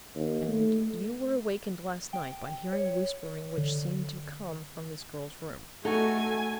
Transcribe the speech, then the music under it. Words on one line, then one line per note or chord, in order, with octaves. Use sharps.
"And you were wakened last night by hearing whispering which seemed to come from this girl's room."
D#2
A3
G5
C#5
D3
A3 D#4 F#4 A4 G#5